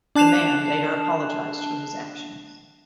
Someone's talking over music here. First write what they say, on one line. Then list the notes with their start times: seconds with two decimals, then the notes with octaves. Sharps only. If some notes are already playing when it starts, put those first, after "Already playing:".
The man later apologised for his actions.
0.15 D4 A5 F#6 C7 E7 F7